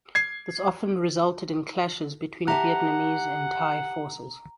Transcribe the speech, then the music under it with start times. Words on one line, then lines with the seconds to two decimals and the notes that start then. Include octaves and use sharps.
This often resulted in clashes between Vietnamese and Thai forces.
0.15 G#6 C7
2.48 G4 E5 F#5 A5 A#5